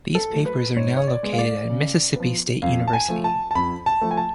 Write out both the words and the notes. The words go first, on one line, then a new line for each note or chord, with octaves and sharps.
These papers are now located at Mississippi State University.
A4
F#3 A3
B4
G#2 C#5
C#5
D5
G#3 B3
F5
D5
C#3
F3 B3
F2 F5
A5
G#5
F3 A3
A5
A5
F2 B5
A5
F3 A3
G#5
A5